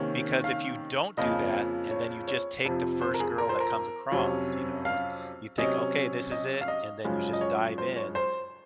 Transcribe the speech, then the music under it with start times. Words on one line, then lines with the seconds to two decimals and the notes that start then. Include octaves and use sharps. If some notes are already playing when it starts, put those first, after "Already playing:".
because if you don't do that, and then you just take the first girl that comes across, you know, and you think, "Okay, this is it," and then you just dive in,
Already playing: C3 D#3 A#3 C#4
0.44 F5
1.17 F2 C#3 F3 A#3 D#5
1.91 C#5
2.28 C#5
2.65 F2 C3 F3
3.01 C5
3.14 A#4
3.20 G#4
3.38 A#4
3.49 C5
3.60 A#4
4.11 F2 C3 F#3 C#4
4.85 F5
5.58 C3 F#3 C#4 D#5
6.32 D#5
6.61 F5
6.68 D#5
7.05 F#2 C#3 F3 G#3
7.33 D#5
7.41 C#5
7.78 C5
7.96 C#5
8.15 C5